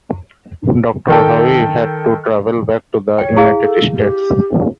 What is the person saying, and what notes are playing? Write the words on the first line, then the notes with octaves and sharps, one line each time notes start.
Doctor Howe had to travel back to the United States.
D#3 A4 G5
C#5 G5
E4 G#4 F5
A4
G4